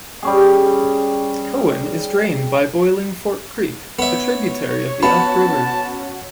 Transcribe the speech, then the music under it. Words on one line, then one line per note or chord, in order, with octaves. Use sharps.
Cowan is drained by Boiling Fork Creek, a tributary of the Elk River.
G3 C#4 G#4
B3 C#5 E5
B3 C#4 F#4 A5 B5